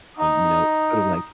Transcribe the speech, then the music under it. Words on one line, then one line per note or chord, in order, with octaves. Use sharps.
um, you know, sort of like,
D#4